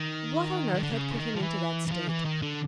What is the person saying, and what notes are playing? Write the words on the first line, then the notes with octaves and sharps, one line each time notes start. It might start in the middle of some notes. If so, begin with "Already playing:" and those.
What on earth had put him into that state?
Already playing: D#3
D#3
D3
C#3
E3
D#3
F3
E3
E3
F3
E3
D#3
D3